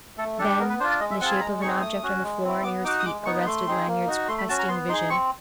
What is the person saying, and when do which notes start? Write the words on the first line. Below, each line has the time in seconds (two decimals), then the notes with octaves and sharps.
Then the shape of an object on the floor near his feet arrested Lanyard's questing vision.
0.18 A3 A4
0.38 D4 G4 A4
0.59 B3 A#4
0.70 B4
0.80 D4 C5
0.84 F4
0.89 D5
1.00 G#3 D#5
1.11 E5
1.21 C4 F4 G#4 F#5 A5
1.31 G#5
1.36 B5
1.40 G#3 A#5
1.62 C4 D#4 G#4 C#6
1.82 A3 D#6
2.03 C#4 F#4
2.23 G#3
2.44 C4 E4
2.64 B3 D6
2.84 D#4 F#4 D6
3.00 D#6
3.06 G#3 D6
3.25 B3 D#4 C#6
3.46 A3 C6
3.67 C4 D#4 G#4
3.87 A#3
4.07 D#4 F#4
4.28 A3 C6
4.38 B5
4.49 C#4 F#4 A5
4.59 A#5
4.69 B3 C6
4.89 D#4 C6
4.93 G#4
5.10 C4 C#6